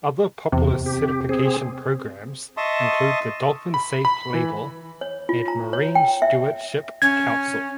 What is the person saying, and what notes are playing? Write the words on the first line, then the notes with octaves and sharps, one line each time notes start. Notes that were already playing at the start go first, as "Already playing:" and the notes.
Other popular certification programs include the dolphin safe label and Marine Stewardship Council.
E2 C3
G4
C4 G#4
D#5 E5 A5 C6 C#6 D#6
B5
B5
E3
C#5
F4
A#5
C#5
G5
E5
C#4 G#6